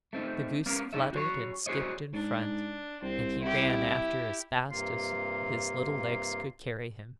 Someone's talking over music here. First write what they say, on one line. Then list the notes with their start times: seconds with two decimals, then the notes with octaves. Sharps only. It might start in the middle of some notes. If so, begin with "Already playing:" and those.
The goose fluttered and skipped in front, and he ran after as fast as his little legs could carry him.
0.13 A3 C4 D#4
0.66 B3 C#4 A#4 F5
0.93 C3 D#4 G#4 A4 E5
1.13 F#4 G#4 C5 C#5
1.66 F#4 G#4 C5 C#5 D#5
2.13 G#2 D4
3.03 C2 C4
3.43 E4 G4
4.70 G2 C3 A#3 F4 F5